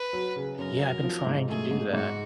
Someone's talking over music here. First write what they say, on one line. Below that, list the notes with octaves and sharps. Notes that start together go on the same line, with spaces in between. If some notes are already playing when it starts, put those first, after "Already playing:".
Yeah, I've been trying to do that.
Already playing: B4
F#3
C#3
F#2 A#4
F#3
F3
G#2
A3 G#4
G#2
G#2 F#4